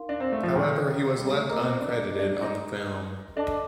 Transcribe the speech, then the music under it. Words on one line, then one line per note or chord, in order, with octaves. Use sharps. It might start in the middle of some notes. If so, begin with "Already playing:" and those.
However, he was left uncredited on the film.
Already playing: D#4 A#4 F5 C6
D4
C4
A3
F3
D#3
G3
A3
A#3 A#4 D#5 A#5 D6
C4
D4
D4
D4
D#4
D4 A4 D#5 A5 D6